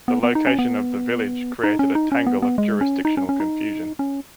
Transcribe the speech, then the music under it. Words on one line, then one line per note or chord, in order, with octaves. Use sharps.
The location of the village created a tangle of jurisdictional confusion.
B3
B3
D#4
C#4
B3
D#4
C#4
D#4
C#4
B3
B3
G#3
C#4
D#4
C#4
C#4
D#4
C#4